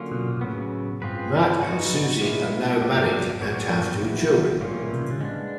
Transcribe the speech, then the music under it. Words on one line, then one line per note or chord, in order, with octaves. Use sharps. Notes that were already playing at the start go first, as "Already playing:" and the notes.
Matt and Suzy are now married and have two children.
Already playing: D3 F#3 A#3 C#4 F4
B2
A#2
A#2
A2 C#3 F#3 B3
G2 C4 F4 G#4 B4
G#2 B3 D#4 F#4 B4
A#2 G#3 B3 E4
A#2 F#3 A#3 D4 G4
G#2
A2 B3 D4 F#4 A#4 C#5
A#2
A2
G#2
G2
G#2
A#2 D#3 F#3 B3 E4
G#2 E3 G3 A#3 C#4 F4
A2
B2
C3
C#3
D3
C#3 G#3 B3 D4